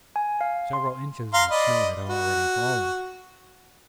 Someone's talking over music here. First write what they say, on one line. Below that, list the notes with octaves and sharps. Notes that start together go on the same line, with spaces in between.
Several inches of snow had already fallen.
G#5
F5
C6
F5 A#5 C6
D5 D#5 B5
F#4